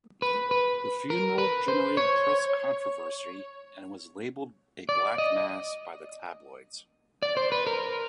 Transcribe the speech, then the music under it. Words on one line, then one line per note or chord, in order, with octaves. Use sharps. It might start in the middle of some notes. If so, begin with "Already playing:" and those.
The funeral generated press controversy, and was labelled a Black Mass by the tabloids.
B4
B4
A#4
B4
C5
C#5
D5
D#5
D5
C5
B4
A#4